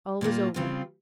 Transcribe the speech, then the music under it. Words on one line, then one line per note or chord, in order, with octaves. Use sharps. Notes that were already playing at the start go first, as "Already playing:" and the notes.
All was over.
A#2 G3 A#3 F4
C#3 G3 C4 F4